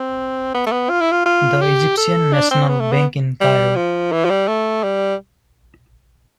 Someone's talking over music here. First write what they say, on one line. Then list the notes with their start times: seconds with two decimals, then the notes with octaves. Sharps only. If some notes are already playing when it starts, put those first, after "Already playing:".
The Egyptian National Bank in Cairo.
Already playing: C4
0.55 B3
0.66 A3
0.72 B3
0.90 F4
1.01 E4
1.12 F4
1.26 F4
1.62 G4
1.97 A4
2.33 D4
2.51 C4
2.69 B3
2.80 A3
2.92 B3
3.41 G3
3.76 F3
4.12 E3
4.25 F3
4.30 G3
4.48 A3
4.84 G3